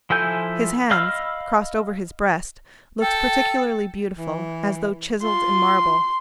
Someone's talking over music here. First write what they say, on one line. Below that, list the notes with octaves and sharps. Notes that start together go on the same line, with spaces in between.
His hands, crossed over his breast, looked particularly beautiful, as though chiseled in marble.
F3 E4 A4 G#5 G6
D#5 F5 B5 E6 F6
A4 G5
E3
F4 C6